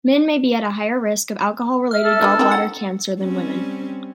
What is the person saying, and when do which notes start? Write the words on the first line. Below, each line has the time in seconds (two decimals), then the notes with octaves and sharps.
Men may be at a higher risk of alcohol-related gallbladder cancer than women.
1.91 E5 F6
2.05 A4
2.22 G3 B3 D4
2.39 D#3 F3 C4
2.51 F#5
3.21 G3 C4 C#4